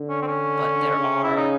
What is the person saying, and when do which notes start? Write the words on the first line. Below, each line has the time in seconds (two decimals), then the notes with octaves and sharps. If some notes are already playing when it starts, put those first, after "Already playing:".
But there are
Already playing: D3
0.09 C#4
0.22 C4
0.27 C#4
0.97 C#3
1.24 E4
1.36 D#4